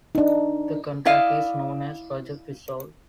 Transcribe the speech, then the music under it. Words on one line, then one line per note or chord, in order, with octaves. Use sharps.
The contract is known as Project Resolve.
D4 D#4
E4 D5 D#5 F5